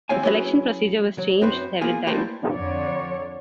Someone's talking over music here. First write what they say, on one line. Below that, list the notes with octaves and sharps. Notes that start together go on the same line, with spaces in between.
The selection procedure was changed several times.
D#2 C4 E4 C#5 F5 G#5
F#3 C#4 E4 G#4 B4
F#3
F#2 C4 F#4 B4 C5
A#3 B3 F4 G#4
G3 A3 A#3 E4 B4 C5
F2 D3 C#5 D5